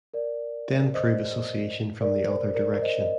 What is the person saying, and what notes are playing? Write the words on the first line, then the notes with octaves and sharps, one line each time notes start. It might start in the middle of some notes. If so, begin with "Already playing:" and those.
Then prove association from the other direction.
A#4 D5
C5 D#5
A#4 D5
C5
A#4 D5
C5 D#5
D#5